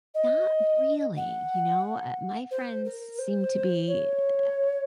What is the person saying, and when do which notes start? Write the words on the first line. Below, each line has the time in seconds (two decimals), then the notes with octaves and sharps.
not really. You know, uh, my friends s seem to be, uh
0.14 D#5
1.17 F#5
2.51 C5
2.84 A#4
3.18 C5
3.87 C#5